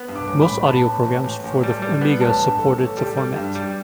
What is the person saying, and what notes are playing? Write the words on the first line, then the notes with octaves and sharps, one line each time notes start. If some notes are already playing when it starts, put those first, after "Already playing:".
Most audio programs for the Amiga supported the format.
Already playing: B3
G2
D6
A1
B5
A1
B3 A5
A1
A1
A1
A1
G3
G3
B3
A1 A5
G2
A1 A4
A1
G3 G4
G3
G2
G3